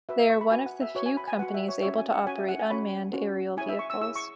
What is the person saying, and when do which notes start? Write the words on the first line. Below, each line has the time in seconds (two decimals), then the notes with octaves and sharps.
They are one of the few companies able to operate unmanned aerial vehicles.
0.09 F#4 B4 E5
0.20 E5
0.30 C#6
0.41 B5
0.51 F#4 B4 G#5
0.66 F#5
0.81 E5
0.95 F#4 B4 C#5
1.06 G#5
1.17 B5
1.28 G#5
1.39 F#4 B4 F#5
1.54 E5
1.68 C#5
1.82 C#4 F#4 C#5 E5
1.98 G#5
2.12 F#5
2.26 C#4 F#4 C#5 G#5
2.38 E5
2.49 F#5
2.59 G#5
2.70 C#4 F#4 C#5 B5
3.13 C#4 F#4 C#5
3.57 E4 G#4 C#5 G#5
3.69 E5
3.79 C#6
3.90 E6
4.01 E4 G#4 C#5 E6
4.16 C#6